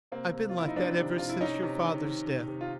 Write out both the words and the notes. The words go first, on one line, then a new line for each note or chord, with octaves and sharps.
I've been like that ever since your father's death.
C3 A#3 C4
C3
F4
F3 E4
D#4
F3 C4 D4
C3
C3 F4
E4
C3 C#4 D#4
C3
D#3
D#3
C3
C3
F4